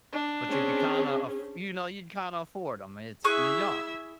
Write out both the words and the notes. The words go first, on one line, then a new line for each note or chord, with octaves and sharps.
but you could kinda af you know, you could kinda afford 'em. It's you're young.
D4
C4 C#4 G#4
E4 G#4 E5 C#6 F#6